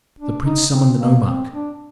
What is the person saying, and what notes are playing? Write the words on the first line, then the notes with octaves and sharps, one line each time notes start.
The prince summoned the nomarch.
D4
D#4
C4
A#3
C4
D4